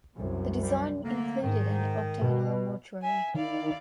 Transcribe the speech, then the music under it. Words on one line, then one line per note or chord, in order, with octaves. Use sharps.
The design included an octagonal mortuary.
C2 F#2 C3
G3
D3 A3 A#3
G#2 D#3
B2
E5 G#5
D#3 E4 D5 F5